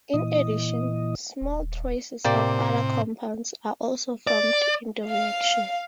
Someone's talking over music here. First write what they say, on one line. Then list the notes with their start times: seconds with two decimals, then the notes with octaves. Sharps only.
In addition, small traces of other compounds are also formed in the reaction.
0.14 A#2 E3 D#5
1.41 D#1
2.25 A2 C3 A#3 G4 D5
4.27 D5
5.08 F5